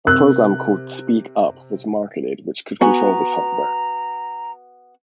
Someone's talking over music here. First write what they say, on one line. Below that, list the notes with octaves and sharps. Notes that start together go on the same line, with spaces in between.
A program called "S.peek.uP" was marketed which could control this hardware.
C3 A#4 F#6
B3 F#4 G#5 A#5